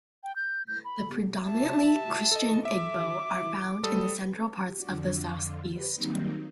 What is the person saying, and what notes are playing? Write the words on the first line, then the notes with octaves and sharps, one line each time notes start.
The predominantly Christian Igbo are found in the central parts of the southeast.
G5
G6
G6
B5
E5 A5
A4 D#5
E5 D6
G3 A4 D#6
F2 D3 F3
D#3 F#3 G3 A#3 C4 D#4